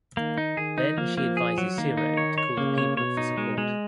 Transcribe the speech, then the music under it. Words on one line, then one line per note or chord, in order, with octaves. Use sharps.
Then she advises Siroe to call the people for support.
D#3 A#3
D#4
D#3 G#4
D#4
F3 A#3
A#3
G#4
F#3
D#3 A#3
D#4
C#5
C#5
C#3 A#3
C#5
B2 C#5
D#4
B2 G#3
G#3